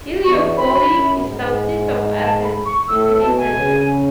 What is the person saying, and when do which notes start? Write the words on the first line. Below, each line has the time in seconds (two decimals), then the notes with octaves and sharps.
Ilioupoli is southeast of Athens city centre.
0.24 E2 C#6
0.57 F#2 B5
0.90 F#2
1.23 G#2
2.22 A5
2.44 B5
2.66 C#6
2.88 A2 E6
3.04 E6
3.21 B2 A5
3.38 G#5
3.54 C#3